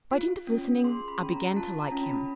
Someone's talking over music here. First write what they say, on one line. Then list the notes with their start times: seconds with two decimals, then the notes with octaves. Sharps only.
By dint of listening, I began to like him.
0.11 F4
0.47 C#4
0.84 G#4 C6
1.08 B5
1.19 C#4
1.33 A#5
1.56 F4 A5
1.80 A#5
1.92 C#4
2.03 B5